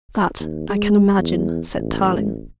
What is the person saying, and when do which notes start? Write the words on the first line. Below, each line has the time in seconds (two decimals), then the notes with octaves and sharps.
"That I can imagine," said Tarling.
0.39 D#2
0.69 G#3
1.18 E2
1.77 A1